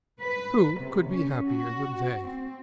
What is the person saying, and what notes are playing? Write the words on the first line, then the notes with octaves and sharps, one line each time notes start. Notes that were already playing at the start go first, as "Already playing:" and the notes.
Who could be happier than they?
B4
C3
C#4
F#4
C4